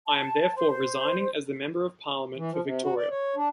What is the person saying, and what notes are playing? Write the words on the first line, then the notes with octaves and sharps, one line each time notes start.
I am therefore resigning as the Member of Parliament for Victoria.
A5
C5
E3
F3
C3
F#4
D5
C#5
D4